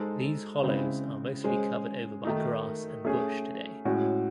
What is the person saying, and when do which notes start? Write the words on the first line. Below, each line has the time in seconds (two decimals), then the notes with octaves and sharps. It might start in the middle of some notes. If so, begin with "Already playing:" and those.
These hollows are mostly covered over by grass and bush today.
Already playing: G#3 D#4 A4 C5
0.64 C#3 G#3 C4 E4
1.44 G#3 C#4 G#4 C5
2.25 D#3 A3 D#4
3.05 A3 C#4 G#4
3.85 A2 G#3 C#4 F#4